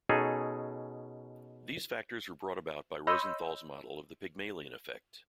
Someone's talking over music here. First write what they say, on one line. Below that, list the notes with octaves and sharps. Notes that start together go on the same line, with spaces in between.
These factors were brought about by Rosenthal's model of the Pygmalion effect.
B2 C#4 D#4 G#4 A4
C#5 D#5 B5 C6 E6 G6